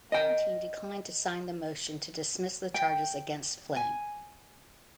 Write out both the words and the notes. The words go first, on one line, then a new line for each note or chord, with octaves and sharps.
Ballantine declined to sign the motion to dismiss the charges against Flynn.
D#5 G5
G5
G#5